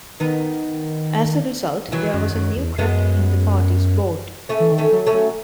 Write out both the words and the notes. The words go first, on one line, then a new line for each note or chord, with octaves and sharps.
As a result, there was a new crack in the party's board.
D#3 B3 D#4
D#3 E3 F#3
F#2
F#2
E2
F#2 G#3 B3
A3 C#4
E3
D#3
A3 C#4
F#3
A3 C#4
F#3